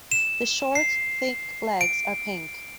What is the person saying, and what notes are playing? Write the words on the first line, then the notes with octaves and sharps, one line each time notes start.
The short, thick legs are pink.
E7
C7
D7